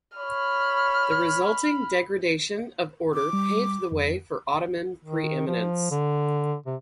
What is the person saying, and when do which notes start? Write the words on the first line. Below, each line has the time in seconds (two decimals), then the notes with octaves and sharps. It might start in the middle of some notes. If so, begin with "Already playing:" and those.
The resulting degradation of order paved the way for Ottoman pre-eminence.
0.18 C#5 B5 F6
3.14 D6
3.33 G3
3.92 F2
5.05 D#3
5.47 F3
5.91 D3
6.66 C3